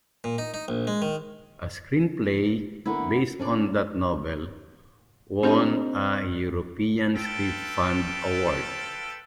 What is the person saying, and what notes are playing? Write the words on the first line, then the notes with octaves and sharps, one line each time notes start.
A screenplay based on that novel won a European Script Fund Award.
A#2
D#4
D#4
A#1
G#3
D#3
D3 A#3 B3 E4
C#4 D4 D5
C4 D4 D#4 G4 A4
F4 A4 B4 G5